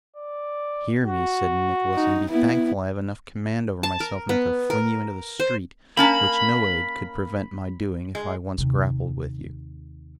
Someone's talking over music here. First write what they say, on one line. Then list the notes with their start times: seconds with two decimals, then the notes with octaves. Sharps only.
'Hear me,' said Nicholas, 'and be thankful I have enough command over myself not to fling you into the street, which no aid could prevent my doing if I once grappled with you.
0.16 D5
1.05 F#4
1.95 D#4
2.30 B3 E4
3.83 A5
4.00 A#4
4.29 B3
4.70 A#4
5.40 C5
5.97 A#3 C#4 A5 B5
8.15 G#3
8.58 D#2 C3